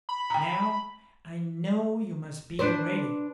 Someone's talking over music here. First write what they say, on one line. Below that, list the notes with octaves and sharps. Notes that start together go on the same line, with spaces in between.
'Now, I know you must be ready.'
B5
G5 A#5
D4 B4 C5